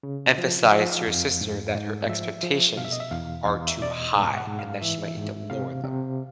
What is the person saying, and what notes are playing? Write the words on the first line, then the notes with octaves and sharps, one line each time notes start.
Emphasize to your sister that her expectations are too high and that she might need to lower them.
C#3
F3
F3 F5
F2
G#2
G#2
F3 E5
F3
B2 F5
E5
D#5
E5
E2 F5
E2 F5
E5
B2 D5
D#5
G#2
F#5
G#2
F5
E3 E5
G#2
C3 F5
C3